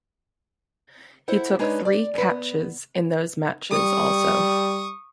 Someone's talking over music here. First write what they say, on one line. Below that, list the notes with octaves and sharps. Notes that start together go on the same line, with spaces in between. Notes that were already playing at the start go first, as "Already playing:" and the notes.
He took three catches in those matches also.
E4 A4 C5 F#5
G#3 D4 D#4 B4 C#5 D#5
D5
F#2 B4
B3
G3 C#6 D#6